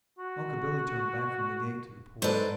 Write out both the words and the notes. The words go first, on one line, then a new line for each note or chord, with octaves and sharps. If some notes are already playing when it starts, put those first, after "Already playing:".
Uncle Billy turned back from the gate to the porch.
F#4
G#2 A4 B4 C5 D5